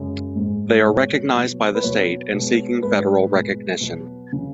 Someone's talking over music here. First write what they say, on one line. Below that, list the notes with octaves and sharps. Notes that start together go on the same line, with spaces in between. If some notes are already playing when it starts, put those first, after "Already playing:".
They are recognized by the state and seeking federal recognition.
Already playing: F#2 C#3 G#3
G#2 G#3
B2 G#3 C#5
B2 F#3
B4
B2 F#3 C#5
B2 G#3
G#2 G#3 B4
B2 G#3
B2 F#3
C#3 F#3